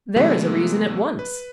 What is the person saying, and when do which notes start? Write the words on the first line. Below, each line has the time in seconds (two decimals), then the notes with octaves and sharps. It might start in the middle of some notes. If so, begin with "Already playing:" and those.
There is a reason at once.
0.16 C3 E3 F#3 G#3 A3 B3
1.19 B4